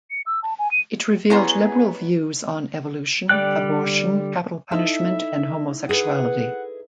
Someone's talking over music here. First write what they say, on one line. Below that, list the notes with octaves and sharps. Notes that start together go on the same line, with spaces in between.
It revealed liberal views on evolution, abortion, capital punishment, and homosexuality.
C#7
E6
A5
G#5
D#7
B2 B3 C#4 E4 G#4 C#5 A#5 C6
D3 G3 D5 G5 F#6
D#4 E4 A4 E5
G#4 A4 B4 F#5